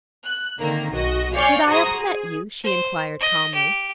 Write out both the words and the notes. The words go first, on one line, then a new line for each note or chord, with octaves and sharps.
"Did I upset you?" she inquired calmly.
F#6
D3 D#3 A#3 C4
B1 F#4 D#5
C#5 D5 F5 G#5 G6 C#7
F#4 G#4 C5 A#5 D#6
G#4
C5
D#5
G4